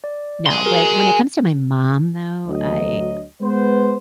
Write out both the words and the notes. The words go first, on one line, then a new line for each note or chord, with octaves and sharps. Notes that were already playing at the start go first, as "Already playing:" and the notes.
now when when it comes to my mom though, I
D5
G#5 C6
F#4 G#4 A#4
D2 F#3 D#5
G#3 B3 B4 C5